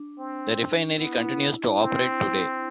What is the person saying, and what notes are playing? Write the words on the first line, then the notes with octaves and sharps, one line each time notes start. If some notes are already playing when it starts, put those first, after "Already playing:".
The refinery continues to operate today.
Already playing: D4
C4
B3 E4
C4